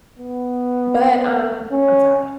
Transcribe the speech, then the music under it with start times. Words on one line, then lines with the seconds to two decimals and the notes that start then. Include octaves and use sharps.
but, um I'm sorry.
0.19 B3
1.72 C#4